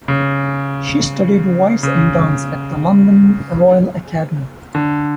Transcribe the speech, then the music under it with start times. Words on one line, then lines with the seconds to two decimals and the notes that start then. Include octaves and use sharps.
She studied voice and dance at the London Royal Academy.
0.08 C#3
1.83 C#3
4.75 D3